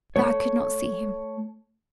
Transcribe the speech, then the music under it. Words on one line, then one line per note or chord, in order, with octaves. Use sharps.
But I could not see him.
A3 C#5